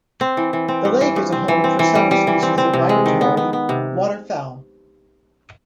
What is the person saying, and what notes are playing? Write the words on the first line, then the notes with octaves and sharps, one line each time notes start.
The lake is a home for several species of migratory water fowl.
C4
E3
E3
C4
G2
E3
G2
C4
E3
C4
E3
G3
G3
E3
C4
C4
C3
G#3
D#3
B3
B3
B3
C3